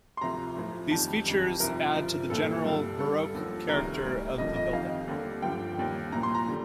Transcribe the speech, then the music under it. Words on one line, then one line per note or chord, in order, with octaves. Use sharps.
These features add to the general baroque character of the building.
C6
D2 C3 F3 A#5
A2 F3
F2 D#3 G3 A5
F2 D#3 G3
C2 C3 F3 A#4
G2 F3
C2 A#2 F3 A4
G2 D3 G3
G2 D3 G3 A4
D#2 D3 F3
D2 C3 D#3 G3 A#4
A2 G3
F2 D3 F3 D#5
D#5
F2 D#3 G3 F5
D#2 D3 G3
G2 D3 F3 G5
D#2 D#3 G3
C2 A#2 F3 A#5
C6
A#5
D3 G3